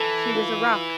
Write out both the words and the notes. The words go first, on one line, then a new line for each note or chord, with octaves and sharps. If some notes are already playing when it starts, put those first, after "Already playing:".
She was a rock.
Already playing: E3 A4
F4